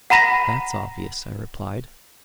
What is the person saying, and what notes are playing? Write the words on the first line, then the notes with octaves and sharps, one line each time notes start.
"That's obvious," I replied.
F#5 A#5 B5 A#6 B6